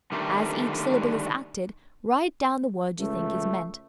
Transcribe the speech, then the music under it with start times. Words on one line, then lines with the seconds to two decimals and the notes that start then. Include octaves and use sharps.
As each syllable is acted, write down the word you think is meant.
0.12 D3 D#3 G3 A3
2.99 C#2 A3